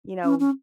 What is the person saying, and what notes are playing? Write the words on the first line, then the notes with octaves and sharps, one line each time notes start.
you know,
C#4
C#4